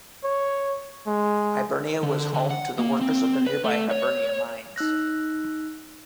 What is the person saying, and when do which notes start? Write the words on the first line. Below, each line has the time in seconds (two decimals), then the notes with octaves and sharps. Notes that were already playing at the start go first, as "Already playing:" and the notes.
Hibernia was home to the workers of the nearby Hibernia mines.
0.24 C#5
1.07 G#3
2.03 D3
2.34 D3
2.51 F#5
2.79 A#3
3.01 C4
3.47 B4
3.64 A3
3.91 C#5
4.76 D#4 E6 F#6 A#6